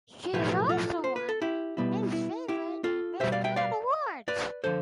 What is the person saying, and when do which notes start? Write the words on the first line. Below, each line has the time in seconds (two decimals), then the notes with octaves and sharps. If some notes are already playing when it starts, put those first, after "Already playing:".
She is also won "Miss Favorite" and "Miss Talent awards".
0.33 B1 A2 F3 A3 E4 G4 B4
0.69 F4 A4
1.04 C5
1.16 B4
1.29 A4
1.42 E4 G4
1.77 B2 G3 B3 E4
2.13 E4
2.48 E4 G4
2.84 F4 A4
3.20 B1 B2 G3 C5 E5
3.32 D5 F5
3.44 E5 G5
3.56 D5 F5
4.28 B4 D5
4.64 D3 F3 A4 C5